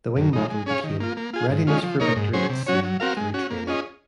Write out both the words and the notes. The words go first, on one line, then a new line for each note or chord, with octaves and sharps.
The Wing motto became Readiness for Victory at Sea through Training.
F#2
F3 G#3 D#4
G#3
C#4 G#4 C#5 F5
D#3
A#3 F4
A#3
F4 G#4
G#2
D#3 G#3 C#4 F4
F3
A#3 D#4 A#4 C#5
G#2
F#3 C#4 G#4 C5
C3
F#3 C#4 F#4 C#5
F#3
C4 F#4 A#4 F5
G#3
C#4 F#4
A#3
C#4 F4 G#4 D#5